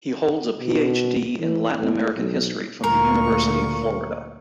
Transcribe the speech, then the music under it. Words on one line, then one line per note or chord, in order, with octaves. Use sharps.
He holds a Ph.D. in Latin American History from the University of Florida.
B2
E3
A2
B1
D2 A#2 A#4 C#6